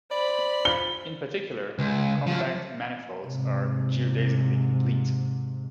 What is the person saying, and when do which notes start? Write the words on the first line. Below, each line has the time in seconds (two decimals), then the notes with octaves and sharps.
In particular, compact manifolds are geodesically complete.
0.12 C5 D5 B5
0.65 G7
1.79 C#2
2.27 F3 F#3
3.26 G#2 C3